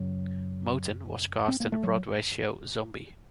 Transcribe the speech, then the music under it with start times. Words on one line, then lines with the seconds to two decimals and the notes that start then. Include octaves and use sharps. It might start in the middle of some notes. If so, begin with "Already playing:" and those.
Moten was cast in the Broadway show "Zombie".
Already playing: F#2 C#3 F#3
1.48 C4
1.60 A#3
1.72 A3
1.83 F#3